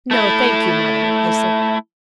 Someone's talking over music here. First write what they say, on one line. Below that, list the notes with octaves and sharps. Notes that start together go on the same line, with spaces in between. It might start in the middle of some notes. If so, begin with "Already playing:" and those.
"No, thank you, mother," I said.
A3 E4